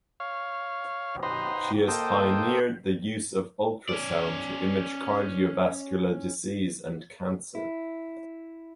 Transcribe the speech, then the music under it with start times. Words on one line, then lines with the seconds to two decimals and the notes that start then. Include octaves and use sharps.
She has pioneered the use of ultrasound to image cardiovascular disease and cancer.
0.20 C#5 F5
1.23 D#4 B4 C5 A#5 C6
1.88 A#3 A4 C5 D#5 G5
3.89 C#4 D5
7.55 E4